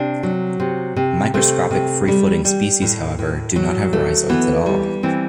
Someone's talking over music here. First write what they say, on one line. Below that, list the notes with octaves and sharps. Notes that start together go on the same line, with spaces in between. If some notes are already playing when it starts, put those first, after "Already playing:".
Microscopic free-floating species, however, do not have rhizoids at all.
Already playing: C3 D4
F#3
C3
C3
C3 A3
C3
G3
G3
A2
A2
F#3
A3
E3 B3
G3
E3 C4